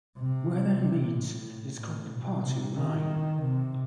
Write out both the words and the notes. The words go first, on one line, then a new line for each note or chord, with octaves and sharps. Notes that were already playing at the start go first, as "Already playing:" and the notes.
Where they meet is called the parting line.
C3
A2
A2
B2
C3
D#3
C3